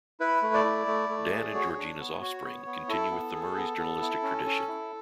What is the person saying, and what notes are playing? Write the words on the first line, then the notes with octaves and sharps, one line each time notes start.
Dan and Georgina's offspring continue with the Murray's journalistic tradition.
E4 B4
A3
D5
E4
A3
A3
G#4
F#4 C#5
D4
B3
F#4 C#5
B3
B3
E4 A4
B3
G#4
B3
B3
E4
C#4
C#4
E4